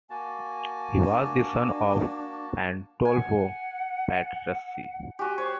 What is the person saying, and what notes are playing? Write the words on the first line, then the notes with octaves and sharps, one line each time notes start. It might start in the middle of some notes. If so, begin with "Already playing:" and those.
He was the son of Pandolfo Petrucci.
A#3 F#4 G#5 A5
D4
F#5 G#5
F#4 G4 G#5
C5 C#5